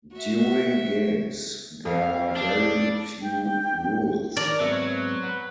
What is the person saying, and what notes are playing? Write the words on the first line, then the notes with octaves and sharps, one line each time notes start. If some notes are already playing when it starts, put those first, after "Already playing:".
During games, there are very few rules.
F#4 E5
F2 F5
D4
G5
D#3 A#4 D5 A5
G#2 F#3 B3 C4 E5
C#5
B4 F#5 B5